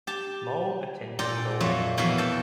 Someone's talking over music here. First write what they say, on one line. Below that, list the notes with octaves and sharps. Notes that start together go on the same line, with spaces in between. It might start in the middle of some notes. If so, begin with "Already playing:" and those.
Mole attended Dulwich College.
G4 A5
A#2 A4 D5 G5 A#5
F2 F#3 A#3 C#5 D5 E5
F2 B2 E3 B3 E5 F5
A4 G5 A5